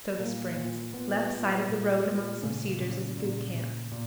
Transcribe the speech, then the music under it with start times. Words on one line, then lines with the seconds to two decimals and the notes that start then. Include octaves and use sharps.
Soda Springs.--Left side of the road, among some cedars, is a good camp.
0.19 A#2 A#3
0.57 A#2
0.94 A#2 B3
1.31 A#2
1.69 A#2
2.05 A#2
2.42 A#2 C#3 C#4
2.80 A#2
3.17 A#2
3.54 A#2
3.92 A#2